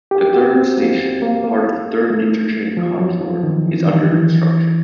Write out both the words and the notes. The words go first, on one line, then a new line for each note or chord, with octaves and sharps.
The third station, part of the Third Interchange Contour, is under construction.
G4
F#4
C4
A#3
A#3
A#3
A3
F3
F#3
F3
D#3
E3
D#3
E3